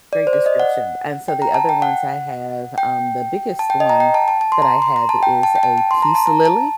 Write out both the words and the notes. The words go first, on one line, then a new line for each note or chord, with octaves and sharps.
Great description. And so the other ones I have, um, the biggest one that I have is a peace lily,
D5
C5
D5
D#5
F#5
G5
A#5
A5
G5
F#5
G5
A5
G5
D#5
A#5
G5
A5
A5
A5
C6
A#5
C6
A#5
A5
G5
A5
G5
A5
A5
C6
A#5
A5
A#5
A5